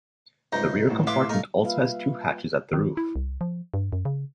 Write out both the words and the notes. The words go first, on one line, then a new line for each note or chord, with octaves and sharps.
The rear compartment also has two hatches at the roof.
C#2 G2 C3 D#4 A#5
A1 A2
B4 E5 F5 C6 D6
A3 D#4 F4 A#4
G3 A#3 F4 B4 E5 F5
D#3
E4
C2
F3
G2
F#2
C#3